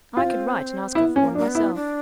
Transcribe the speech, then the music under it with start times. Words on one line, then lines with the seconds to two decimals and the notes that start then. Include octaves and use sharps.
"I could write and ask her for one myself."
0.16 C4 F4
0.95 B3 E4
1.16 C#4
1.22 A#3
1.35 D4
1.38 A#3
1.48 B3
1.55 E4
1.75 D4